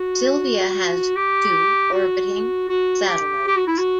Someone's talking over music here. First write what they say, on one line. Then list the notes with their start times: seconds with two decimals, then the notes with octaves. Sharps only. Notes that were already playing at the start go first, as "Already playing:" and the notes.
Sylvia has two orbiting satellites.
Already playing: F#4
1.16 G4
1.92 F#4
2.69 F#4
3.08 G4
3.47 G4
3.56 F#4
3.67 E4
3.78 F#4